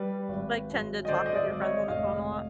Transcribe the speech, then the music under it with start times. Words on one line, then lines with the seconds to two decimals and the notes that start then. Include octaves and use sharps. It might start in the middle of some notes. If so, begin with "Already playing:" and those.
like tend to talk with your friends on the phone a lot?
Already playing: G3 B4
0.29 G#1
0.69 F#2
1.05 D#5
1.08 D3 C5 D5
1.26 D#5
1.35 D5 E5
1.48 G#1
1.61 C#5 D#5
1.88 F1 D#5 F5